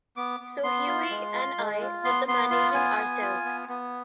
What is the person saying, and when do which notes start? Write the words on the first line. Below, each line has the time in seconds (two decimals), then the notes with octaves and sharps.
So Hughie and I did the managing ourselves.
0.17 B3 D6
0.40 B3
0.63 B3 C6
0.87 F4
1.11 G#3
1.34 F4
1.58 G#3
1.81 F4
2.04 B3 C6
2.28 B3 C6
2.51 F4 C6
2.74 B3 G#5
2.97 B3
3.22 F4
3.45 B3
3.69 B3